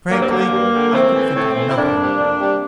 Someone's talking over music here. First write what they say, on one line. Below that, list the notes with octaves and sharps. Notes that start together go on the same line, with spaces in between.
Frankly I could think of nothing.
G2 A#3
C4
D3 G3 A#3
G2
D3 G3
A2 A3 C4
E3 A3
A2
E3 A3
E4
F2 A#3 D4
C3 G3
F2
C3 G3